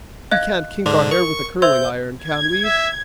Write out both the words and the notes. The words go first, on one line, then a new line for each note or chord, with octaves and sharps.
We can't kink our hair with a curling-iron, can we?
D#5 F5 F#6 G#6
G#2 D3 D4 C6 D6
A#4 C#6
C5 E5 C6 E6 G6 G#6
G#6
E5